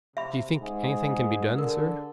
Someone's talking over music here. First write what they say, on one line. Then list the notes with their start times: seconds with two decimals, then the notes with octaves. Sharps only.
"Do you think any thing can be done, sir?"
0.17 C3 E5 B5
0.62 G#2 G#4
1.58 D3 A#4